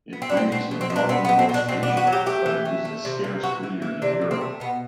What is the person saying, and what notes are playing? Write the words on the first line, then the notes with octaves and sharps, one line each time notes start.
It breeds in northernmost Asia, but it is a scarce breeder in Europe.
B3
C4
B3 D4
C4
B2 C4
B2
C4
B2
D4
B3 C4
B3
B2
C4
B2
D4
B2 C4
D4
B3
F#4
F#3
G4
A3 G4
E3
A3
A3
C3
C3
E3 F#4
E3
E3
C3 D4
C3
C4
A3
B2 B3